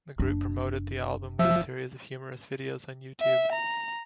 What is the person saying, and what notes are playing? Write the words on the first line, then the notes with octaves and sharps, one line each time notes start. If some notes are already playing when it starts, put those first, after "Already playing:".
The group promoted the album with a series of humorous videos on YouTube.
F#1 D4
F3 E5
E5
A#5